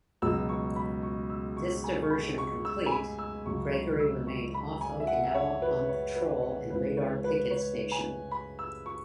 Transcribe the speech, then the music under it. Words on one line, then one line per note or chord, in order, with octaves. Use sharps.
This diversion complete, "Gregory" remained off Okinawa on patrol and radar picket station.
C#2 B2 F#3 E6
C#6
B5
C#6
E6
C#6
G#5
C#6
B5
C#6
E6
G#5
B5
E6
C#2 C#3 F#3 C#6
C#6
E6
C#6
B5
G#5
E5
F#5
E5
C#5
B4
C#5
B4
C#5
C#2 C#3 E3 G#3 B4
C#5
B4
C#5
G#5
B5
E6
C#6